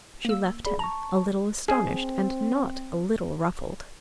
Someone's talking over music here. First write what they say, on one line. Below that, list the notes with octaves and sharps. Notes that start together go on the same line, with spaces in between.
She left him, a little astonished and not a little ruffled.
A#3 E6
G#4 D5 B5
A5 A#5 C#6
C4 G#4